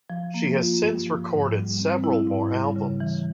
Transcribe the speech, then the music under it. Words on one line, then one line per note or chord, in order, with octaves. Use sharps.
She has since recorded several more albums.
F3
A#3
F4
G2
F3
G#2
G3
C4
E4
G#2
G3
C#3
E3